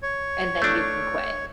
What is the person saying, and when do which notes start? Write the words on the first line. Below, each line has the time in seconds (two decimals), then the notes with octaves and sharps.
and then you can quit."
0.02 C#5
0.62 A3 D4